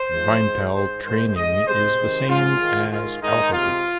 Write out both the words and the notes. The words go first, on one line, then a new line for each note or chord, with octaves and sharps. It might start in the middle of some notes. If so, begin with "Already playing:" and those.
Vympel training is the same as Alpha Group.
Already playing: C5
G#2 F3 G#3
G#2 G#3
G#2 G#3 C5
G#2 D#3 G#3 C5
G#2 G#3 D#5
C3 G#3 C5
C3 D#3 G#3
G#2 F3 G#3 F4
G#2 D#3 G#3
G#2 D#3 G#3 F4
G#2 D#3 G#3 D#4
C3 G#3 F4